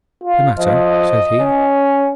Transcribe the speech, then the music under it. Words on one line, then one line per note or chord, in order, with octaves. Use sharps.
'The matter?' said he.
F4
F3 D#5
C#4